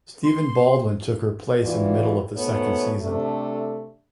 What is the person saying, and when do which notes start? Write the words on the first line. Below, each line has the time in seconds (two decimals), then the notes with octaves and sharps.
Stephen Baldwin took her place in the middle of the second season.
0.24 C6
1.62 D#3 E3 F4 F#4 D5
2.37 G#2 B2 A3 B3 C#5
3.01 C3 A3 D4